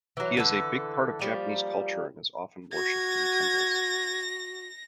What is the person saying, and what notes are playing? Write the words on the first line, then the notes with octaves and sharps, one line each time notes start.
He is a big part of Japanese culture and is often worshiped in temples.
E3 F#3
D3 E3 A4
F3 G3 A#3
F#4 G#6 A#6